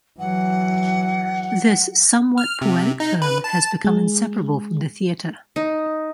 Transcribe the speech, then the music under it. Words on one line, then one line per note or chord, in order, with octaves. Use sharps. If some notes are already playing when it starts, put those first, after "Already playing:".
This somewhat poetic term has become inseparable from the theatre.
E3 F#3 F#5
F6
C3
D#4
B4
A5
G#3
D#4